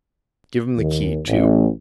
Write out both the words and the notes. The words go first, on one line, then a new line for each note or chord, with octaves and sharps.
Give him the key too.
D#2
A1